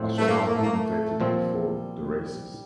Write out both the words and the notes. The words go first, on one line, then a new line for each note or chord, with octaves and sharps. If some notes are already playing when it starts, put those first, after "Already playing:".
I shall have him vetted before the races.
Already playing: A2 F3 C4
A3
A#3
A3
A#3
A3
A#3
A3
A#2 F3 G3 C4